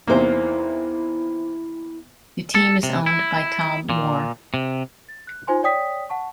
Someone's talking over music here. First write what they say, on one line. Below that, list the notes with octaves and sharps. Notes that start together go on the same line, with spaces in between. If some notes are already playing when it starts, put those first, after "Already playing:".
The team is owned by Tom Moore.
E2 C3 A#3 D#4 E4 C5
A4
C3
E4
A#2
C3
A6
F#6
D#4 F4 C5 G#5 C6
C#5 D5 G5 D#6 B6
F#5 A5 C#6